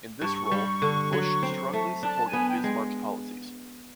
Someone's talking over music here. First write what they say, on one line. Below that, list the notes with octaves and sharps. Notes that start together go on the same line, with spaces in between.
In this roll, Busch strongly supported Bismarck's policies.
G2 C#6
G3
D3
F#3
C4
A3
D4 A5
G#5
B3
G5
G#3